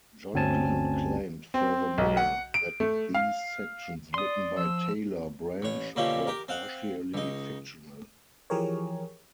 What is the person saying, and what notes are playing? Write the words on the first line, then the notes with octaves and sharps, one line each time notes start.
John Dean claimed furthermore that these sections written by Taylor Branch were partially fictional.
G1 D2 C4 C#4 G#5 A5
C4
B1
F#5
D7
A3
F5
D5 C6 D#6
F3 E6
A1 C#5
B2 D3 A#3 C#4 F4 G4
G4 A#4
C4 F5 F#5
C#2 D#4
E3 F3 G4 G#4 A#4 C#5